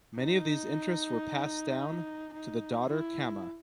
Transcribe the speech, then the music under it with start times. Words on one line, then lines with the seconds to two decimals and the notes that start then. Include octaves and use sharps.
Many of these interests were passed down to the daughter Kamma.
0.18 D#4
2.34 D#4
2.88 E4